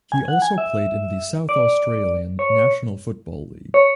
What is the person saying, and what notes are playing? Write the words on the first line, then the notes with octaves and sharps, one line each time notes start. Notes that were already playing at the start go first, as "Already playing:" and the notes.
He also played in the South Australian National Football League.
G#5
F#5
G#5
E5
D5
C#5
C#5